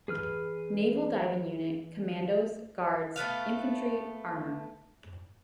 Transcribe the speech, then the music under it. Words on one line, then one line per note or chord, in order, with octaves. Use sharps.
Naval Diving Unit, Commandos, Guards, Infantry, Armour.
E3 G#4 B4 F6
A3 B3 B4 F5